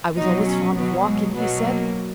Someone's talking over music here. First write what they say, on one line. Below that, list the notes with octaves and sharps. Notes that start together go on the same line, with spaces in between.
"I was always fond of walking," he said.
B2 F#3 D#4
C#4
B2 F#3 B3
G#3
B2 F#3 B3
A#3